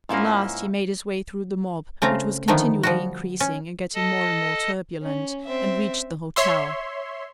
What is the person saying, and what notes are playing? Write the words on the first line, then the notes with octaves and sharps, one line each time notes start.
At last he made his way through the mob, which was continually increasing and getting more and more turbulent, and reached the hotel.
G#2 A#3 C#4 E4 F4
C#3 A3 C4 F4 A#5
D3 D#3 F3 A3 B3
F3 G3 F#4
C#4
A4 D#5 A5
C#4
C4 E5
C#5 E5 C6